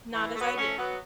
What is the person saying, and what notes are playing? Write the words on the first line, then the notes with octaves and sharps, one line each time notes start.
Not as I do.
E3 A3
A3
F#3 B3
A3 C#4
F#3 B3